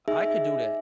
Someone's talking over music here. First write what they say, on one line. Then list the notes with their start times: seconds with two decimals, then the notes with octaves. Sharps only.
I could do that,
0.08 D#4 G#4 E5